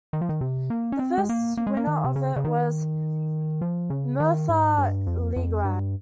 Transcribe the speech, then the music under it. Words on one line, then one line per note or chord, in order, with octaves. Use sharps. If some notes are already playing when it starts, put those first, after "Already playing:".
The first winner of it was Mirtha Legrand.
D#3
F3
D#3
C3
A#3
C#4
C4
G#3
A#3
A#3
G#3
A#3
D#3
C3
C#3
C#3
D#3
F3
C#3
D#3
G#2
G2
F2
F2
G2